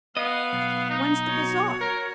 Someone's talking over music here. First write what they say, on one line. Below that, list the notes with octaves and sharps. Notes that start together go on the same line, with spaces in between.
'When's the bazaar?'
B3 D#5 F5
B1
D#4
F#4 C#5
A#4